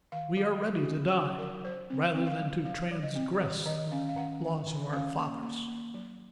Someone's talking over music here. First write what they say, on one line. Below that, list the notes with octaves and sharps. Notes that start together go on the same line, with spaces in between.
We are ready to die, rather than to transgress the laws of our fathers!'
D#3 F5
F#3 F5
F#3
F#4
C#4
F#3 F#4
F#3 A#4
F#3 C5
C4
C4
F5
F#3
F#3 F5
F#3
D#5
C4
D#3 C#5
D#3 D#5
C#4 F5
F5
D#3 F#5
D#3
D#3
C#4 F5
A#3
A#3
A#3
F#3